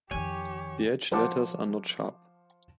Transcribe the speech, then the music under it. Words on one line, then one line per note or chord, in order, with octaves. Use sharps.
The edge letters are not sharp.
F2 D#3 G4 C#5 G#5
F3 C5 F#5 A5 D6